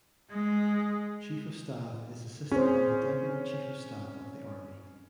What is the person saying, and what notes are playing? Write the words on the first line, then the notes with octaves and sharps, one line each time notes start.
Chief of Staff is assisted by the Deputy Chief of Staff of the Army.
G#3
C4 C#4 G#4 C5